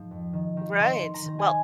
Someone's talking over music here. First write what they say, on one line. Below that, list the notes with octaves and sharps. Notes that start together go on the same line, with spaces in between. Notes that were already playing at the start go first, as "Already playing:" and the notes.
Right, well,
Already playing: G#2 F3
F2
D#3
D#3
D#3 C6
D#3
A#5
D#3
G#5